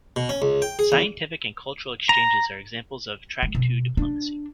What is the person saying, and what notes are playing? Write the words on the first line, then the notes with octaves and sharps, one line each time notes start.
Scientific and cultural exchanges are examples of track two diplomacy.
B2
C#4
C#2
G5
G#4
E2
A#5
G#3
B2
D4